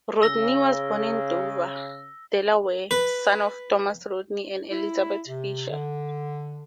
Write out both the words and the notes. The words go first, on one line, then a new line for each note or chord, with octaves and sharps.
Rodney was born in Dover, Delaware, son of Thomas Rodney and Elizabeth Fisher.
C#3 E6 A#6 G7
B4
E4
C3
D3